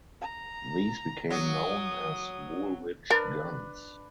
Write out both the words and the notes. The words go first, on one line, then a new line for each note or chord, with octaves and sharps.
These became known as Woolwich guns.
A#5
F#3 D#6
D4 A#4 B4